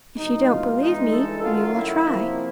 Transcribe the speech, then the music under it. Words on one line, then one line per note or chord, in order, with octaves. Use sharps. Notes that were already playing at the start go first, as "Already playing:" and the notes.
If you don't believe me, we will try.
E2 B2 G#3 D#4
F4
G2 E3 G#3 D#4
A4
F#2 D#3 F#3 A3 F4
E4
C3 F3 A#3